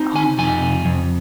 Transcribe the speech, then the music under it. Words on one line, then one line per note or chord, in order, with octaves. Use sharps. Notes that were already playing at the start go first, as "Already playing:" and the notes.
Oh, man.
Already playing: C4 D#4
G#5
F2 G#5
F2